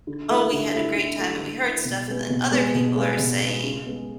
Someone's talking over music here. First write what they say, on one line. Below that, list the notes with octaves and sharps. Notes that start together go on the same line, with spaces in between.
"Oh, we had a great time, and we heard stuff," and then other people are saying,
D3
A3 E4
D3
A3 E4
D3
A3 E4
D3
A3 E4
B2
G#3 B3
B2
G#3 B3
B2
G#3 B3
B2
G#3 B3
C#3
G#3 B3